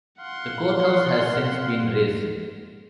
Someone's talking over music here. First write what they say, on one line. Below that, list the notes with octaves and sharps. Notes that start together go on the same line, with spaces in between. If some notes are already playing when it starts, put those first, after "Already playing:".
The courthouse has since been razed.
F5 F#5 C6